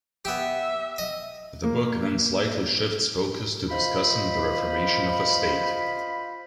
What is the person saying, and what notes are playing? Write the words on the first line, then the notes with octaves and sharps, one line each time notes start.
The book then slightly shifts focus to discussing the reformation of a state.
B3 G4 E5
D#5
A#3
F4 C5 D#5 B5